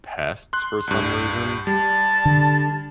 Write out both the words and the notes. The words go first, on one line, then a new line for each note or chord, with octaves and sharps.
pests for some reason.
C6 F#6
C2 G2
G3 A5
D3